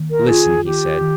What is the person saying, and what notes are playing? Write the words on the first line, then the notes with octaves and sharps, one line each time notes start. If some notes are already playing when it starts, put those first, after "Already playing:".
"Listen," he said.
Already playing: D#3 A#3
A#4
F4 G#4
D#3 G4
D#3